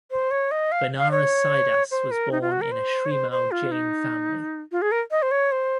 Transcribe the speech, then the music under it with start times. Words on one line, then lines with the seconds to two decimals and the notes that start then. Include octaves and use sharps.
Banarasidas was born in a Shrimal Jain family.
0.11 C5
0.31 C#5
0.51 D#5
0.72 F5
0.98 F5
1.11 C#5
1.91 C5
2.11 A#4
2.32 D#4
2.42 F4
2.52 F#4
2.61 A#4
2.72 C5
3.06 C#5
3.11 C5
3.31 C5
3.51 F4
3.71 D#4
4.72 F4
4.82 G#4
4.92 A#4
5.11 D#5
5.22 C5
5.31 C#5
5.52 C5